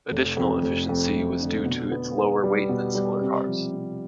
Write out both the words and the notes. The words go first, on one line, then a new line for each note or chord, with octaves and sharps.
Additional efficiency was due to its lower weight than similar cars.
F1
F2
F1
F2
A3
D3
B2
B3
B3
G3
B2
G3
C3
F3
C3